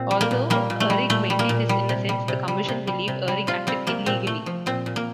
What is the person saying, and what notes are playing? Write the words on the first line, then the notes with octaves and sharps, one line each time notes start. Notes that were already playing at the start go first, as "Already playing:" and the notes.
Although Uhrig maintained his innocence, the Commission believed Uhrig acted illegally.
Already playing: A#2 C4
G3
A#3
A#2
G3 A#3
A#2
A3
G3
A#2 A3
G3
A#3
A#2
G3
C3
G3
C3
G3
C3
G3
C3
G3
C3 F4
G3 C4
C3 A#3
A#2 C4
A3
F3
A#2 C4
A#2
A#3